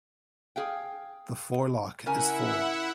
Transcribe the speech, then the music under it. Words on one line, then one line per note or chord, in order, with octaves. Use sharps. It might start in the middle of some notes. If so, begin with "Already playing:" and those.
The forelock is full.
G#4 F5 G5
C#3 E4 A#4 E5 F#5 G#5